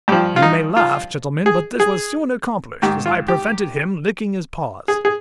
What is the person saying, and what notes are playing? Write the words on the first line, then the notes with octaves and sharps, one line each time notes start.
You may laugh, gentlemen, but this was soon accomplished, as I prevented him licking his paws.
G2 F3 G4
F4
D#4
F4
G#4
G#4
G#2 D#3 G4
F4
G4
G#4
G#4